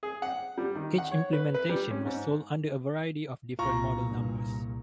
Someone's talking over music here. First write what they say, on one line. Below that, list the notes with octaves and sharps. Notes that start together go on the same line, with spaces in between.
Each implementation was sold under a variety of different model numbers.
G#4
F#5
G3
D#3
F#5
C#5
B4
B4
G3
C#4
G#2
C2 A#2 F4 A#5 C#6
G2